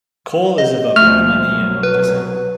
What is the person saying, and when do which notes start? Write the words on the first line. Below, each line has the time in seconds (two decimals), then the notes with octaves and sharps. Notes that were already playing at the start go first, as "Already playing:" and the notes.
Cole is of Panamanian descent.
0.58 D#5
0.96 D2 F3 G3 A3 F6
1.47 C2 B2 F#3
1.83 B4